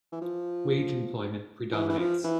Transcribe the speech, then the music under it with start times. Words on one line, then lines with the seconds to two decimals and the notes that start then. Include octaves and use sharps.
Wage employment predominates.
0.12 E3
0.22 F3
1.73 E3
1.89 E3
1.98 F3
2.24 E3